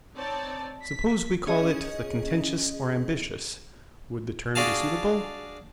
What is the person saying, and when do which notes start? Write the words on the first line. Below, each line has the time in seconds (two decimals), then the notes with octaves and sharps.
Suppose we call it the contentious or ambitious--would the term be suitable?
0.15 C4 D#4 C#5 D5 A5
0.83 B6
1.47 C#4 G#4 D#5
4.55 D4 F#4 G#4 F5 A5